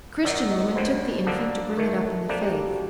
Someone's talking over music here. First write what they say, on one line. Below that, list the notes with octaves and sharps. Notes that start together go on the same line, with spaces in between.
A Christian woman took the infant to bring it up in the Faith.
F#2 D#3 F#3 D5
D#5
D2 D3 G3 C5
F#2 D3 G3 A#3 D4
D#2 D#3 A3 A#4
A4
C3 G3 A#3 D4 A4
G4
A4
F#4